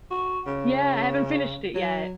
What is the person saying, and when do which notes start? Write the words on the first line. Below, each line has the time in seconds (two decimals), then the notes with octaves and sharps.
Yeah, I haven't finished it yet,
0.11 F#4
0.46 C#3
1.74 F#3